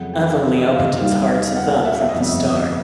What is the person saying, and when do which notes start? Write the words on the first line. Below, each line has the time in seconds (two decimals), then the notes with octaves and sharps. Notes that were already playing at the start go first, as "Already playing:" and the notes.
Avonlea opened its heart to them from the start.
Already playing: F2 C#3 F#3 A3 F#5
0.14 G5
0.28 F5
0.42 E5
0.57 D#5
0.71 F5
1.00 D#2 D#3 G3 A#3 F5
1.56 F#5
1.85 E5
1.99 E5
2.09 D#5
2.14 G1 F2 C3 E5
2.28 D#5